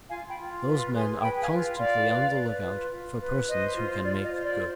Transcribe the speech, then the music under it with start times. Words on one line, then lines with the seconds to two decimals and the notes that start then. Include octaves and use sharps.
Those men are constantly on the lookout for persons who can make good.
0.09 F4 F5 G#5
0.28 G5 B5
0.38 F4
0.65 B4
0.94 G#4 G#5 C6
1.22 B4 G5 B5
1.41 F5 G#5
1.50 F4
1.78 F4 D5 F5
2.07 B4
2.34 B4
2.63 F4
2.91 F4
3.20 B4
3.47 C5 D#5
3.76 F4
4.04 F4 D5
4.22 D#5
4.32 C5
4.42 D5